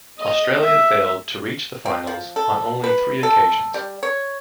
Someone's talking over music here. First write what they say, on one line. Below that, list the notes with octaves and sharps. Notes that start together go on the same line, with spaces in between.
Australia failed to reach the finals on only three occasions.
D#5
E5
C4
F3
A4
B4
A4
G3
C#5